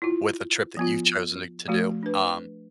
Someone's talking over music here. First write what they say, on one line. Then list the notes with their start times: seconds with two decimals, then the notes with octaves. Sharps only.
with a trip that you've chosen, eh, to do. Um,
0.02 E4 F4
0.77 F3 B3 F4
1.68 F3 A3 F#4
2.03 D4 B4